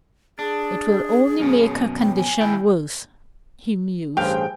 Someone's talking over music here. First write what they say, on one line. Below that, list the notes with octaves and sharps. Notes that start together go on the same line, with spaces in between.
"It will only make her condition worse," he mused.
D4 G#4
F#2 B2 C#4
G5
G#5
D#2 E4 G5
A1 G2 G#4 C5 F5 G5